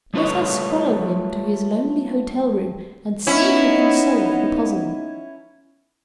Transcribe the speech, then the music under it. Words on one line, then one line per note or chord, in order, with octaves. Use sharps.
Let us follow him to his lonely hotel-room and see if we can solve the puzzle.
G3 A3 F4 B4 C#5
B3 C#4 D#4 E4